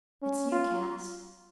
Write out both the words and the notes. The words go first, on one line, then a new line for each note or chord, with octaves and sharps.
Hit's you, Cass.
C#4
F4